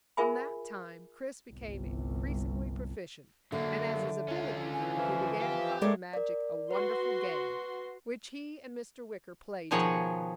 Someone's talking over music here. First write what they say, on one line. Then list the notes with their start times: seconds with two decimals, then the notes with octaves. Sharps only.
From that time, Chris became increasingly proficient, and as his ability grew he began to find magic a wonderful game, which he and Mr. Wicker played together.
0.17 F4 G#4 A#4 E5 G#5 B5
1.52 G1 C2
3.52 D3 F#3 A#3 E5
4.28 C#4 F4
4.74 G#5
4.97 E3 F3
5.42 G4
5.81 A2 G#3 A#4 D5 D6
6.13 A#4 D5
6.71 F#4 B4 C6
9.71 B2 D#3 F3 G#4 C#5 F#5